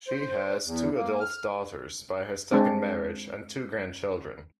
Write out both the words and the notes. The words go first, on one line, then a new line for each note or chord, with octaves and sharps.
She has two adult daughters by her second marriage and two grandchildren.
C5
E2
A#3
F6
G#3 C4 D4